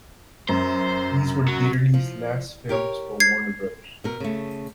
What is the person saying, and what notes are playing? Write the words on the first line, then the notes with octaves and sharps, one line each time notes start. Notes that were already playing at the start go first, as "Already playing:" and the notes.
These were Dieterle's last films for Warner Brothers.
F#2 C5
F#3
F3
G4 A#4 C#5
G#6 C7
B2 A#4
C#3 A3